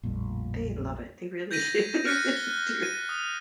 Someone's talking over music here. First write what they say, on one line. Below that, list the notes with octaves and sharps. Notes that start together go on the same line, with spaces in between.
They love it, they really do they really do,
A#1 F2 A2 G3
G6 G#6 A#6 B6 D#7
F6 F#6 A6 B6 C#7 D#7
G7
D#7
D#6